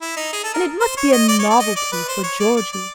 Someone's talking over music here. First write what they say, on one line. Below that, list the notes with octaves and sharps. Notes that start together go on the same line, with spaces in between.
And it must be a novelty for Georgey.
E4
D#4
G#4
A4
A#4
C5
C#5
D#5
D5
C#5
D5
D#5
D5
B4
C5
C#5
D5
D5
D5